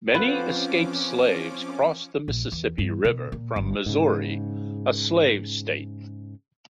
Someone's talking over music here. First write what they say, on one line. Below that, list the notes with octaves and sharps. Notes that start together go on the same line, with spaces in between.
Many escaped slaves crossed the Mississippi River from Missouri, a slave state.
F3 C4 C#4 F4 B4 F#5 D6
A#1
E2
G2
B2
A#2
G1
G#2 C#3